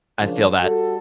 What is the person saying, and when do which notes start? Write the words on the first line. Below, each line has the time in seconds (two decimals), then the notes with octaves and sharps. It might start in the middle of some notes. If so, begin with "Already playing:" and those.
I feel that.
0.20 C#3 F3 D4 F4 A#4
0.62 G3 F#4 A4